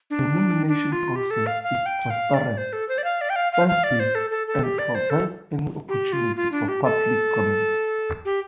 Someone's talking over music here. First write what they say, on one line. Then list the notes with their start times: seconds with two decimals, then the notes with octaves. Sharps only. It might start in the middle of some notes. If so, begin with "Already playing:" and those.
The nomination process is transparent, science-based, and provides an opportunity for public comment.
0.10 D4
0.68 D4
0.92 F4
1.16 G4
1.30 A4
1.46 F5
1.63 F5
1.86 G5
2.10 F5
2.34 D5
2.57 C5
2.73 A4
2.88 C5
2.98 D5
3.04 F5
3.21 D5
3.29 G5
3.36 F5
3.52 F5
3.68 F5
3.83 D5
4.00 C5
4.15 A4
4.30 A4
4.47 A4
4.63 G4
4.78 D5
4.95 C5
5.10 A4
5.89 G4
6.12 F4
6.36 F4
6.52 D4
6.68 G4
6.84 A4
8.25 G4